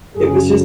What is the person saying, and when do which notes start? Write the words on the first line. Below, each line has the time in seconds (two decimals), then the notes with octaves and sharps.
it was just
0.15 F#2 C#3 F#3 G#4